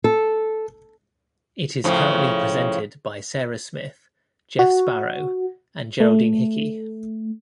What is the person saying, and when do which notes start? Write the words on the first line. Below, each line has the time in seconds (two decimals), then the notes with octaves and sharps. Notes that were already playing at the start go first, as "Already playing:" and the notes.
It is currently presented by Sarah Smith, Jeff Sparrow and Geraldine Hickey.
0.04 A4
1.84 A2 C#3 F3
4.59 F#4
6.00 A3